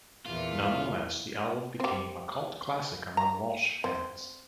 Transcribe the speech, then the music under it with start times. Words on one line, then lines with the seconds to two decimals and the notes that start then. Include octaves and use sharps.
Nonetheless, the album became a cult classic among Walsh fans.
0.26 E2 A#2 E3 F4
1.80 C4 G4
3.17 A#5
3.84 C4